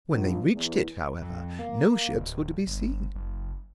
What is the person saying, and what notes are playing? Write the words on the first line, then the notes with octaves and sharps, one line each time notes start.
When they reached it, however, no ships were to be seen.
A#1
E2
F2
A#3
D1
G1
F#1